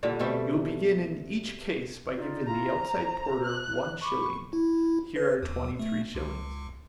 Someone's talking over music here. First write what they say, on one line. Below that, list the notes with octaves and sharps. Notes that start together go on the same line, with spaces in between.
"You will begin in each case by giving the outside porter one shilling. Here are twenty-three shillings."
A#2 D3 G3
B2 G3 A3 C4
D#4 F4 D5
E4 F4 A#5
C5
F#6
B5 C#6 D6
E4
B4
D#2
A3
C#2